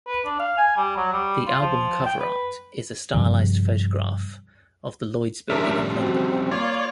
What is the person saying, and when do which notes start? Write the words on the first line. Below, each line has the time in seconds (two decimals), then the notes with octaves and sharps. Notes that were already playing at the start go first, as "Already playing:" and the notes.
The album cover art is a stylised photograph of the Lloyd's Building in London.
0.07 B4
0.25 D4
0.39 F5
0.57 G#5
0.77 G3
0.96 F#3
1.13 G3
1.47 F4
1.61 F3
2.06 G5
2.20 B4
3.14 G2 C3 F3 G3
5.50 F3 G3 C#4 D4 A#4 E5
5.96 C4 F#4
6.51 A#3 F4 C#5 D5